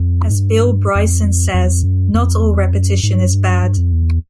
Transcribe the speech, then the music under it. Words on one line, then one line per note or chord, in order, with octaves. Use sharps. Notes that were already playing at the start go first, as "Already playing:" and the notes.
As Bill Bryson says, Not all repetition is bad.
Already playing: F2
G#2
G2
F2
F2
E2
F2
F#2
F2
E2
F2
F#2
G#2
G2
F#2
G2
F#2
G2
F2
E2